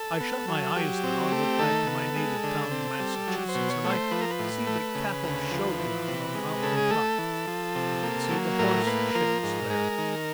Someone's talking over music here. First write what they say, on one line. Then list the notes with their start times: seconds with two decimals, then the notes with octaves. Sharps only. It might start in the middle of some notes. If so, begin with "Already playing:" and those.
I shut my eyes now and look back to my native town in Massachusetts, and I see the cattle-show ground on the mountain-top; I can see the horse-sheds there.
Already playing: A4
0.20 B3
0.48 F#3
0.75 F#3 G4
1.04 C4
1.32 A3
1.59 D#3 A4
1.87 B3
2.16 G#3
2.44 D3
2.71 C4
3.00 G3
3.27 F#3
3.49 C5
3.55 B2
3.70 C#5
3.84 A3
3.90 C5
4.11 F3 B4
4.21 A#4
4.31 B4
4.39 A2
4.67 A3
4.95 C#3
5.23 D2
5.51 F3
5.79 E3
6.08 C3
6.35 G#3
6.63 C#3 A4
6.77 G#4
6.91 A3 A4
7.18 E3
7.47 F3
7.75 C3
8.03 A#3
8.31 F#3
8.59 A2 A#4
8.87 A#3 B4
9.15 F3 A#4
9.43 G#2
9.70 G#3
9.98 D#3